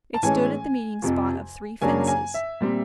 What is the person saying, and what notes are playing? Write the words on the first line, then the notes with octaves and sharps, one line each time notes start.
It stood at the meeting-spot of three fences.
A5
A2 E3 G#3 C#4 G#5
F2 C3 F3
F#2 C#3 F#3 A#3 D4 G#5
G#5
E5
A#2 G3 C4